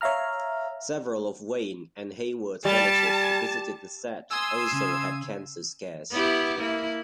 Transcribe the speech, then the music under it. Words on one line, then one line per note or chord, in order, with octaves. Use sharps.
Several of Wayne and Hayward's relatives who visited the set also had cancer scares.
C#5 E5 F5 A#5 F6
G3 A5
G#5 C6 D#6 E6
C#3
B3 E4 G4
A#3 E4